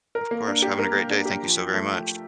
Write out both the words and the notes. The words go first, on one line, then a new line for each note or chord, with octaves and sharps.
Of course having a great day thank you so very much.
A#4
A#3
D4
G4
A#4
A#3
D4
G4
F3
F3
A3